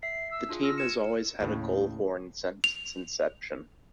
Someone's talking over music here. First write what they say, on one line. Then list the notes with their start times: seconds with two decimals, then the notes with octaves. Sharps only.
The team has always had a goal horn since its inception.
0.03 E5 B6 C7
0.31 E6
0.49 D4 F4 G#4
0.63 E6 F6 A#6
0.78 E6 G#6 C#7 E7
1.41 D#2 A2 C#3
2.64 F7